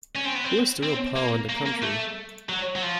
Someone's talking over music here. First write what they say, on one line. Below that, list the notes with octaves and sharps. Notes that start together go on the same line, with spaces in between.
Who is the real power in the country?
C#4
C4
B3
C4
C4
A#3
A#3
A#3
A3
F#3
F#3
F3